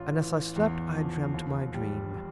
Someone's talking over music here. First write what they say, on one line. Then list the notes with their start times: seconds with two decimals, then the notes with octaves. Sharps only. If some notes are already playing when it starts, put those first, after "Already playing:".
And as I slept I dreamed my dream.
Already playing: A1 F4
0.17 E3
0.56 E2
0.95 F3
1.34 D#2
1.74 G3